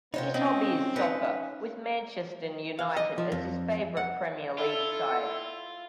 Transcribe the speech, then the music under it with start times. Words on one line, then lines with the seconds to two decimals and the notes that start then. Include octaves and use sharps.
His hobby is soccer, with Manchester United as his favourite Premier league side.
0.14 C3 B3 D#4 F4 C5 C#5
0.34 C4 C#4 D#5
0.96 C#4 D#4 B4
2.79 F5
2.97 D#5
3.18 F3
3.32 F2
3.97 F#5
4.58 E4 F4 A4